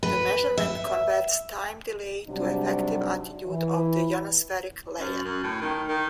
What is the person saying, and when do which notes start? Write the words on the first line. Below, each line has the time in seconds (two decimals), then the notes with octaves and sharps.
The measurement converts time delay to effective altitude of the ionospheric layer.
0.03 B4
0.58 E5
2.27 G#2 C3 F#3 G3 D4
3.45 E3
4.99 F#2
5.24 F#2
5.43 A2
5.61 D#3
5.89 D#3